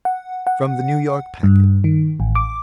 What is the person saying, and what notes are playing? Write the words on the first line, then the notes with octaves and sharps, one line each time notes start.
From the New York Packet.
F#5
F#5
G2
D#3
A1
D6